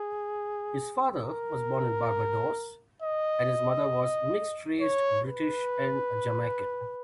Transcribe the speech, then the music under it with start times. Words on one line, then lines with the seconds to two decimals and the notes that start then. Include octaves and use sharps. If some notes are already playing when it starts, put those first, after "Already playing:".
His father was born in Barbados and his mother was mixed-raced British and Jamaican.
Already playing: G#4
1.23 A#4
3.02 D#5
4.81 C#5
5.26 B4